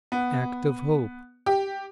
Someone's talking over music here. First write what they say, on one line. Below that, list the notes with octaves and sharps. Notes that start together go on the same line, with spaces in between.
Act of Hope.
B3
G4